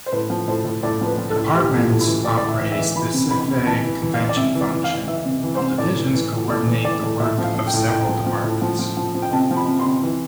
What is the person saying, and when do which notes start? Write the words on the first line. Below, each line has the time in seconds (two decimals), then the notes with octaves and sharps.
"Departments" operate a specific convention function, while "divisions" coordinate the work of several departments.
0.06 C5
0.12 A2 B4
0.30 F3
0.48 A2 C5
0.65 A2
0.83 A2 D5
1.01 F3 B4
1.18 F3
1.30 A4
1.36 A2
1.54 E3 G4
1.71 A2
1.78 F4
1.89 A2
2.01 E4
2.07 E3
2.24 A2 D5
2.37 A2 D5
2.48 E5
2.60 E3
2.72 E5
2.78 E3
2.96 E3 B5
3.14 C3
3.30 E3 B5
3.48 C3
3.66 E3 A5
3.84 E3
4.02 E3
4.14 F5
4.19 E3
4.29 D5
4.37 C3 E5
4.55 E3
4.61 D5
4.72 E3
4.84 F5
4.90 E3
5.07 E3 E5
5.25 C3
5.43 E3
5.55 C5
5.61 C3
5.78 A2 D5
5.96 E3
6.14 E3
6.32 A2
6.49 A2 D5
6.67 E3
6.85 E3 D5
7.03 A2
7.20 A2 E5
7.38 F3
7.44 F5
7.56 F3
7.67 G5
7.74 A2
7.91 A2 G5
8.09 F3
8.26 F3
8.44 A2
8.62 F3
8.79 F3
8.97 F3
9.15 F3
9.22 G5
9.33 C3 A5
9.51 F3
9.56 B5
9.68 C3
9.79 C6
9.86 C3
10.03 E3